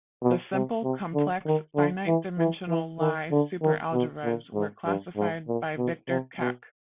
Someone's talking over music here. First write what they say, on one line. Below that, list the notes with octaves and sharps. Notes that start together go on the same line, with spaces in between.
The simple complex finite-dimensional Lie superalgebras were classified by Victor Kac.
B2
C3
C3
D3
D#3
D3
E3
E3
E3
D#3
D3
D#3
B2
A#2
G#2
G2
G#2
A#2
B2
C3
B2